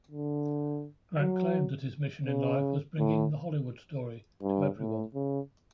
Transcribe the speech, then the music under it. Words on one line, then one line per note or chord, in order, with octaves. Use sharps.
Grant claimed that his mission in life was bringing the Hollywood story to everyone.
D3
F#3
C#3
A2
G2
A2
C#3